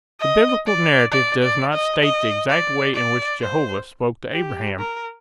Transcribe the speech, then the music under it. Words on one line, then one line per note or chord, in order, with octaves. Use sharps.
The Biblical narrative does not state the exact way in which Jehovah spoke to Abraham.
D#5
D5
D5
D5
D#5
D#5
D5
D5
C5
G4
A#4